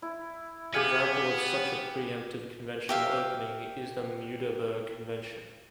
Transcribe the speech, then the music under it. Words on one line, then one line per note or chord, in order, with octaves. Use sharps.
Example of such a preemptive conventional opening is the Muiderberg convention.
E4
B3 G4 G#4 F5
G4 E5 F5